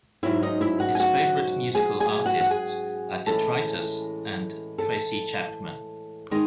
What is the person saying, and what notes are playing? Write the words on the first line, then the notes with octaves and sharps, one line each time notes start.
His favorite musical artists are Detritus and Tracy Chapman.
G#2 F#3 C#4 E4 E5
D#4 D#5
E4 E5
F#4 F#5
G#5
F#4 F#5
G#4 G#5
G#4 G#5
F#4 F#5
F#5
G#4 G#5
A2 E3 G#3 C#4 A4 A5
A4 A5
D#3 G#3 D#4